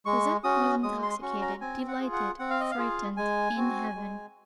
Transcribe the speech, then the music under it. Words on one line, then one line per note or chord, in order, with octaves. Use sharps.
Cosette was intoxicated, delighted, frightened, in heaven.
G#3 C#6
C#4 F#4 D#6
G#3 D#6
C6
C#4 F#4 C#6
A#5
C4 G#5
F#5
F4 G#4
F#5
C4 F#5
F5
D#5
F5
F4 G#4
G#3 G#5
C4 F#4
G#3